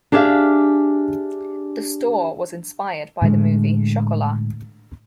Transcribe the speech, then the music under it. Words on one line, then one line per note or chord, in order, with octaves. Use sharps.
The store was inspired by the movie "Chocolat".
D4 G4 G#4 E5 F5
A2 D3 G#3